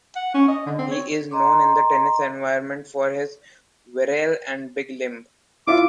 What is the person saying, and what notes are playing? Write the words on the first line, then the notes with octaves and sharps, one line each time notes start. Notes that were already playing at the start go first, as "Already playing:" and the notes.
He is known in the tennis environment for his virile and big limb.
F#5
C#4
D#5
D3
C4
C#5
D#5 A#5 C6 D6
E4 F4 E5 D6